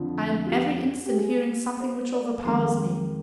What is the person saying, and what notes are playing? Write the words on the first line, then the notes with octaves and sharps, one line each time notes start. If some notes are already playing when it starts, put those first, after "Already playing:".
I am every instant hearing something which overpowers me.
Already playing: F2 D3 F3
F4
G4
G4
G#4
C5
D5
F2 D#3 G#3 C6